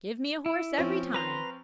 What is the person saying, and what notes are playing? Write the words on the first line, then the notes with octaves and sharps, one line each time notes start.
Give me a horse every time.
E4
F3 C4 C#4
B4 A#5 C6